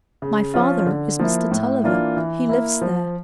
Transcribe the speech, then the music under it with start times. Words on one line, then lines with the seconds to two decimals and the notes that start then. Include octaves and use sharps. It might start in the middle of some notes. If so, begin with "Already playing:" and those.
"My father is Mr. Tulliver; he lives there."
0.22 C#3
0.54 F3 C#4 F4
0.86 D3
1.19 F3 A#3 E4
1.51 A2
1.84 E3 A#3 D4 F4
2.17 E3
2.49 A#3 E4
2.82 F3